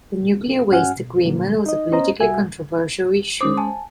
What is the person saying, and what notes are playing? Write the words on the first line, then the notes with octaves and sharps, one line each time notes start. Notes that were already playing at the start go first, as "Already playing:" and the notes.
The nuclear-waste agreement was a politically controversial issue.
G2 C#4 F#4 F#5 G#5 F6
B2
A#2 D3 F#3 A#3
D#4 D#5
B3 C#4 C5 D#5 A#5
C2 G3 F#4 E5 G#5
G#3 C#4 C5 D6 D#6
G#5 A5